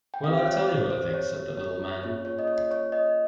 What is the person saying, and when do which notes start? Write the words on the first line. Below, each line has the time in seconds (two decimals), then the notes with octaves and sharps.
"Well, I'll tell you what I think," said the little man.
0.14 G5
0.23 C4 G4 F5
0.38 C5
0.46 C#5
0.69 C5
0.90 C5
1.14 C#5
1.57 C#5
2.02 A#3 C#4 F4 G#4 C#5
2.25 C#5
2.39 D#5
2.47 C#5
2.71 C#5
2.92 D#5